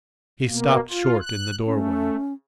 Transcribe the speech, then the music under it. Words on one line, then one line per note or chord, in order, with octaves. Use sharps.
He stopped short in the doorway.
B2 A#3
F4
F#6
A3 C#4